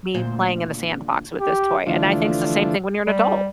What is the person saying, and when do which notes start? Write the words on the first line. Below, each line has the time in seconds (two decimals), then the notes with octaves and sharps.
me playing in the sandbox with this toy, and I think it's the same thing when you're an adult.
0.14 D2 A#2 C5
1.41 G4
1.87 D3 E3 F3 A3 D4 F4
3.07 G3